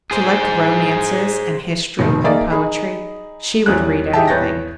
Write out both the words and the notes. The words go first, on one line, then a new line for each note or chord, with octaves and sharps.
She liked romances and history and poetry; she would read anything.
G#4 C5
F1 B2 D#3
A#3 D#4 G#4 D5 E5
D#4 G#4 B5
E2 E3 G3 C#4 F#6
D#4 G4 G#4 E5 G5 A5
E2 B4 C#5 G6 A6 A#6